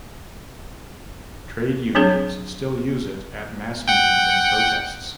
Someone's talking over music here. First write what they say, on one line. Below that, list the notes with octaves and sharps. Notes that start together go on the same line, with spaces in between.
Trade unions still use it at mass meetings and protests.
F#3 C4 D4 G#4 C#5
F#5 G5